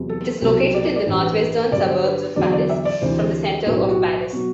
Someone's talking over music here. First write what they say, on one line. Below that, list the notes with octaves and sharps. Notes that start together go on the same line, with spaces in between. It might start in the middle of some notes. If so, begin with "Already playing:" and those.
It is located in the north-western suburbs of Paris, from the center of Paris.
Already playing: E2 C3 F#3
A4
C2 B2 F#3 C5
D5
D5
D5
A1 G2 E3 C5
B4
B4
G1 G2 F#3 D5
C5
B4
E2 D3 F#3 D5
D5
E5
D5
D2 C3 E3 C5
B1 A2 F#3 B4
G4
F#4
B2 F#3